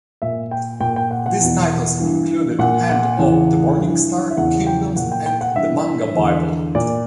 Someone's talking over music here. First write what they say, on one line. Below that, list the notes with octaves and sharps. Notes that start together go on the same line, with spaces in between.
These titles included "Hand of the Morningstar", "Kingdoms", and "The Manga Bible".
A#2 E5
G5
A#2 G5
G5
F#5
F#5
E2 B2
G2 E3
A#2 F#5
F#5
E2 C#3 E3
G2 E3
E5
E2 C#3 E3 F#5
G5
A#2 F#5
G5
G5
F#5
G2 E3 E5
E2 D3
A#2 D5